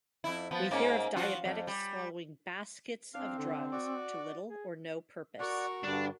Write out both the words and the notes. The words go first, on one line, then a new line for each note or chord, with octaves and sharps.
We hear of diabetics swallowing baskets of drugs to little or no purpose.
F2 E4
F3 B3
G#2 A#3 C#4
F3 F4 F#4
F2
G3
E2 C4 D4 F5
D3
F#4 D5
G#4
F#4 A#4 D5 F#5 C#6
G2 D3 G3 D4